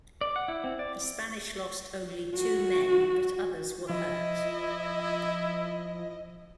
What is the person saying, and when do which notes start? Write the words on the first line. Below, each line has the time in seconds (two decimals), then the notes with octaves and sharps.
The Spanish lost only two men but others were hurt.
0.21 D5
0.36 F#5
0.48 E4
0.64 C4
0.79 D5
2.36 F#4
3.90 F3 E4 D#5